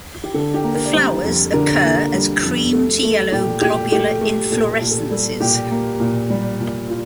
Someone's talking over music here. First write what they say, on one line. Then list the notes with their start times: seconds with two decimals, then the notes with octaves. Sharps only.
The flowers occur as cream to yellow globular inflorescences.
0.24 G4
0.34 D3 A4
0.54 G4
0.64 A#3
0.75 A#4
0.86 D5
0.93 G3 C5
1.24 F2
1.53 D3 A#4
1.83 A#3
2.14 G3
2.43 F2
2.73 A3 A4
3.03 A3
3.32 A#2 G4
3.62 A#2 G4
3.92 A3 G4
4.21 A3
4.51 A#2 A4
4.71 A4
4.81 A#2
4.91 A4
5.11 G3 A4
5.40 A#2 G4
5.71 A#3
6.00 A#2
6.30 G3
6.61 A#2
6.90 F4